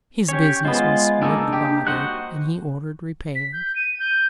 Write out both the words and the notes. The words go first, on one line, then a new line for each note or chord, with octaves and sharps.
His business was with the body, and he ordered repairs.
C#4 G4 C#5
G#3 B3 F4 C5
G#3 A#3 D4 D#4 E6
G4
F#4 C5 D#5 F#5 F#6
B6
G6
D#7
G6